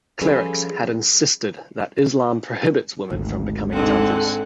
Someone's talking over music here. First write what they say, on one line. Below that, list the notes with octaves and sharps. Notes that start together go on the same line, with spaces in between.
Clerics had insisted that Islam prohibits women from becoming judges.
F3 G3 C#4 G#4 A4 B4
G#1 D2
G#2 D3 C4 F#5